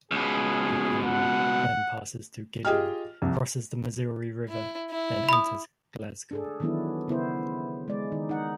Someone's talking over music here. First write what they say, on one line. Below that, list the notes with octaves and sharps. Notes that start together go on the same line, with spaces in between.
The highway then passes through Gilliam, crosses the Missouri River, then enters Glasgow.
C#2 B2 G#4
F#5
F4 G4 G#4 D#5 G5 F6
C2 F2
E4
E4
B5 D#6
D4 G#4 A4
D#3 E3 F#3 B3 D4 E4
C#3 B3 E4 C5
G#3 D5
D#3 D#4
D#4 F#5